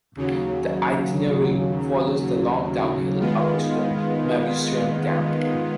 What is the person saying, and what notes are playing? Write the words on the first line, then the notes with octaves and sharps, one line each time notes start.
The itinerary follows the long downhill up to the Mauvoisin.dam.
D#2 C#3 F#3
D#3 G#3 B3 F4